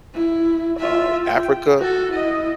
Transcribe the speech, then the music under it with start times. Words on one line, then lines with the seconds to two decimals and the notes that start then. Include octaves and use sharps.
uh, Africa,
0.14 E4
0.78 F4 E5
1.26 G5
1.79 F#4 A4
2.12 E4 D#5